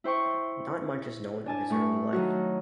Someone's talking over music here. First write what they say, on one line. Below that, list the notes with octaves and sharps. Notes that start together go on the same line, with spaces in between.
Not much is known of his early life.
E4 C5 G5 C#6
D4 G#5 A5
A2 A3 C#6
D#3 F#3 D#4 F#4